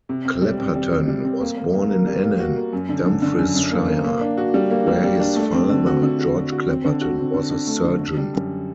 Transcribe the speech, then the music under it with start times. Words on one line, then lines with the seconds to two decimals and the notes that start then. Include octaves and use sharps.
Clapperton was born in Annan, Dumfriesshire, where his father, George Clapperton, was a surgeon.
0.09 C3
0.25 C4
0.42 G3
0.58 C4
0.74 G3
0.91 C3
1.08 G3
1.24 C4
1.41 A#3
1.57 A#3
1.74 A#3
1.90 A#4
2.07 G3
2.23 A#3
2.40 F#4
2.56 A#3
2.73 F#2
2.89 D3
3.06 D3
3.22 D3
3.39 F#2
3.56 F#2
3.72 A#3
3.88 A#3
4.04 A#3
4.21 D4
4.37 F#4
4.54 G3
4.71 A#3
4.87 G3
5.04 G3
5.20 D4
5.36 A3
5.53 C4
5.69 D3
5.86 F#4
6.02 D3
6.19 F#4
6.35 F#4
6.52 F#4
6.69 C4
6.85 D3
7.01 F#4
7.18 C4
7.34 D3
7.51 D3
7.67 A3
7.84 D3
8.00 D3
8.17 G3
8.33 F#2